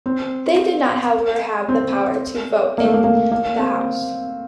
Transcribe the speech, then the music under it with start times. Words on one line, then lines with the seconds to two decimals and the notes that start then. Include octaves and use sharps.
They did not, however, have the power to vote in the House.
0.06 C4
1.69 C4
2.78 A#3
2.85 A3
2.94 A#3
3.04 A#3
3.32 A#3
3.59 C4